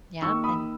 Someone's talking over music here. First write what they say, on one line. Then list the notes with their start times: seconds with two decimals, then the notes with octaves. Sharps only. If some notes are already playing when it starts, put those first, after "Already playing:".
Yeah, and
0.22 D#3 A#3 C#6 E6
0.44 B5 D#6